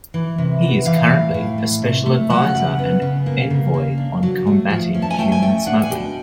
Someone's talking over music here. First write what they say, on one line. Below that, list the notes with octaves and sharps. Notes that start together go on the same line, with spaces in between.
He is currently a special advisor and envoy on combating human smuggling.
E3
C3
B3
E3 F5
A2
A2
A3
C3
A3
F#3 F#5
C#3
B3
C#3
A#3
C#3
A#3
D4
F#3
A3
F3
C#4
A5
G#5
A3 G5
G#5
A3 G5
D4 F#5
G#5
B2 G5